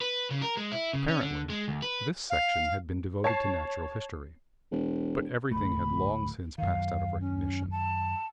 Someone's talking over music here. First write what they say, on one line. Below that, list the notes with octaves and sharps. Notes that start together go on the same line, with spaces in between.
Apparently this section had been devoted to natural history, but everything had long since passed out of recognition.
B4
C#3
A#4
G#3
E4
C#3
C#4
D3
G#3
D2
B4
F5
C#5 A5 C7
E1
D1 A3 B5
F#2 D#3 F5
C#4
A5